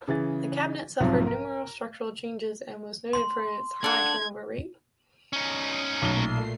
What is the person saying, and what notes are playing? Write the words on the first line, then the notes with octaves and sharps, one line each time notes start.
The cabinet suffered numerous structural changes and was noted for its high turnover rate.
C#3 E3 G#4 A6
B1 F2 G#2 C3 F3 F#3
A#4
C6
D4 A4 F#5 G#6
C#4 D#4 D#6
B1 A#2 A3 C7 G7